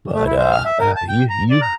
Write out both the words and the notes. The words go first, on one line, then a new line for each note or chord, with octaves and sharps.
but, uh, uh, you you
A3
E4
C5
F6
E5
A#4
A5
G5
A#5
D5
A#5